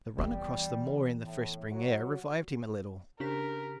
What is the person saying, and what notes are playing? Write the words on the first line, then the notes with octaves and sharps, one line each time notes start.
The run across the moor in the fresh spring air revived him a little.
E3 G3 B3
A2
F#3 F#4
C#3 D4 G4 A#4 B6